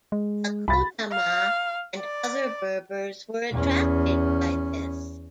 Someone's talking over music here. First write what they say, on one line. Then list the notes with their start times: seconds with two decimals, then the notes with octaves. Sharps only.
The Kutama and other Berbers were attracted by this.
0.12 G#3
0.68 C2 B5 A6
1.11 F5
1.98 D5
3.52 E2 C#4